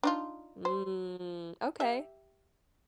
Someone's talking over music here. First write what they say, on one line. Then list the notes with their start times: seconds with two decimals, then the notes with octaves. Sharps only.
Mm. Okay.
0.03 D4 D#4 F4
0.65 C5
1.80 G4 E5